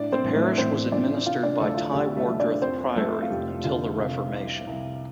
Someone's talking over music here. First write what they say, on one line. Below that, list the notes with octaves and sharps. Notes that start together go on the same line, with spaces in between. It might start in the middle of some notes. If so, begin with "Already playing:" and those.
The parish was administered by Tywardreath Priory until the Reformation.
Already playing: A2 D4 D5
C4 C5
A1
A3 A4
A1 C4 C5
F3 D4 D5
C3 F4 F5
D4 D5
D2 A3 A4
F4
D2 G4
A3 A4
F3
D4 D5
F2 C4 C5
F3 A3 A4
F4
F1 G4
D3 F4
C3
C2
C2